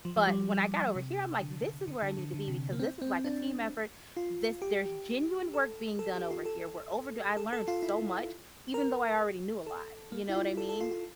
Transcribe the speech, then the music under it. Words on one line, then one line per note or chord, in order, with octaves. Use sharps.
But, when I got over here, I'm like, "This is where I need to be because this is like a team effort. This there's genuine work being done over here. We're overdue." I learned so much, even though I already knew a lot. You know what I mean?
F3
F3
G3
C3
D3
D3
D3
D3
D3
C3
A#3
C4
C4
D4
F4
G4
A4
A4
G4
F4
A4
A4
A4
F4
E4
A#4
A4
A#3
E4
F4
A4
A4
F4
F4